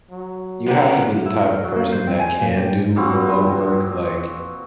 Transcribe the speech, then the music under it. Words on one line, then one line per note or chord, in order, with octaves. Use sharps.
you have to be the type of person that can do remote work, like
F#3
C#3 B3 G4 A#4 F#5
E4
A#4
F#3
A#3
C5
C4
G#5
A#2
G4
A#2 B3 C4 F#4